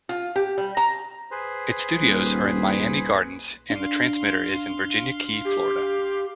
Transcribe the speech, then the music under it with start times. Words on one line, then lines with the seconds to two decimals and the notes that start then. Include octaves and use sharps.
Its studios are in Miami Gardens and the transmitter is in Virginia Key, Florida.
0.09 F4
0.36 G4
0.58 G3
0.77 A#5
1.31 G#4 B4 C5
2.02 D#1
3.70 D4 F5 C6
5.45 G4